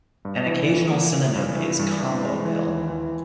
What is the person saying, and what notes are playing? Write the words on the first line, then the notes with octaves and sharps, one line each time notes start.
An occasional synonym is "combopill".
G2
E3
E3
A#3
E3
G2
E3
G2
E3
G#3
E3
D#2
E3